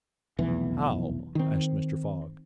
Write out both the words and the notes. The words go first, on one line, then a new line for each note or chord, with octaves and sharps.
"How?" asked Mr. Fogg.
F1 B1 E2 E3
D#3 C4